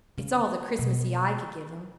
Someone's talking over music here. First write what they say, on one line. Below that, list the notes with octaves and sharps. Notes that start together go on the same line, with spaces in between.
It's all the 'Christmassy' I could give them.
C#3
B2